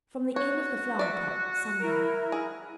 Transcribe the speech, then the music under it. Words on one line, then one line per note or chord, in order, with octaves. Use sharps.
"From the Inn of the Flower-pot, Sunday."
F#4 C#5
D5 E5
E4 A#4
G#4